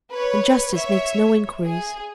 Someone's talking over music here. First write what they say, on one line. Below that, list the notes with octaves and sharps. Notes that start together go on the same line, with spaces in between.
And justice makes no inquiries.
B4 C#5
C#5 E5
G#4